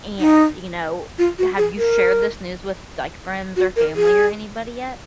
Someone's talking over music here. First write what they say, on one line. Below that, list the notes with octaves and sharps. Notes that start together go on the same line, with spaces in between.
And, you know, have you shared this news with, like, friends or family or anybody yet?
D#4
F4
F#4
G#4
A#4
F#4
A#4
G#4